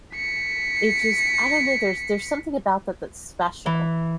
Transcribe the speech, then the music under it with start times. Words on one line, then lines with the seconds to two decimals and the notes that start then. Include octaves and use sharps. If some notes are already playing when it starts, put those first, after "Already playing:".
It just I don't know. There's there's something about that that's special.
0.16 B6 C#7
3.66 E3